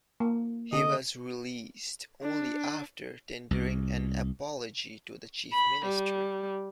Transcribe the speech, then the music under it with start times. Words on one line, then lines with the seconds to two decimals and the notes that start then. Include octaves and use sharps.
He was released only after tendering an apology to the Chief Minister.
0.20 A#3
0.73 D3 D#5
2.22 D4
3.51 C2
5.53 B5
5.85 G3